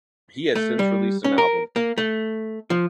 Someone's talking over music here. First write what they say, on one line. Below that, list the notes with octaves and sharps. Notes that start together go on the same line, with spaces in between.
He has since released an album.
A3
G3
C#4
A#4
A#3
A3
F3